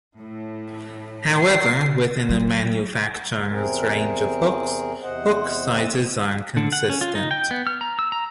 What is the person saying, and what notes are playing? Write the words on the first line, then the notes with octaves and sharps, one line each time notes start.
However, within a manufacturer's range of hooks, hook sizes are consistent.
A2
C7
F#3
E2 C3 C4 G#4 A#4
E2 C3 C5 D#5 F#5
D3
F#5
C#4
F4
D#4
G5
B3
F6
A#5
E6
A#5